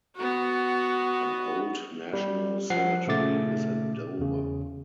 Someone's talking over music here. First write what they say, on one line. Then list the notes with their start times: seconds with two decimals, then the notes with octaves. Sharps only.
An old national cemetery is in Dover.
0.16 B3 F#4
2.13 G3
2.70 F3 F#5 C7
3.07 A#2 C#3 A3 D6 A6
4.19 E2 C#3